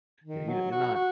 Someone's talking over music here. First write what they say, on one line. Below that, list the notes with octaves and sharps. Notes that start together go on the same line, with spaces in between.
you you're not
D#3
F#3
F#4
F#4